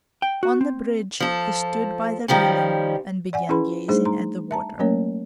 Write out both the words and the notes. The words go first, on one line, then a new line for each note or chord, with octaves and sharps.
On the bridge he stood by the railing and began gazing at the water.
G5
F#4
C4
F3 A4
D#3 F3 G3 C#4
D5 F#5 G#5
C#4 E4 G#4 B4 B5 C6
G3 A3 D4 D#4 G#4 C5
D#4 A#5 C6
E5 A5 A#5
F#3 A3 A#3 C#4 A#4 C#5